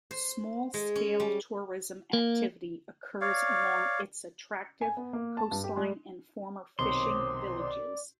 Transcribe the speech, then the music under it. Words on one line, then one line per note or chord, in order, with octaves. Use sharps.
Small scale tourism activity occurs along its attractive coastline and former fishing villages.
C5
G#3
C#4
G3
A#3
C#5 D5 F5
G#5
B3
A#3
A5
G2
G4
G3
B1 C3 D#3 C5 C#5 C6 D6 D#6
D5